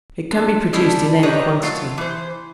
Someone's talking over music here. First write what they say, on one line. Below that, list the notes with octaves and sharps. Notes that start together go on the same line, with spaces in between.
It can be produced in any quantity.
D4 F4
G3 G#3 C#4 D4 E4
D#3 G3 B4 C#5 D#5 A#5
F#3 A3 F4 F5
E3 C5